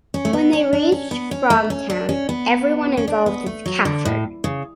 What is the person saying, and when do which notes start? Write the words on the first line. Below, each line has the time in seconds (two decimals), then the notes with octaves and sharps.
When they reach Frogtown, everyone involved is captured.
0.14 C#4
0.25 A3
0.33 B3
0.53 C#4
0.73 D4
0.92 C#4
1.11 B3
1.31 C#4
1.50 A3
1.70 C#4
1.90 D4
2.09 C#4
2.29 B3
2.97 C#4
3.08 D4
3.26 B3
3.46 A3
3.66 F#3
3.85 D3
4.05 A2
4.44 C#3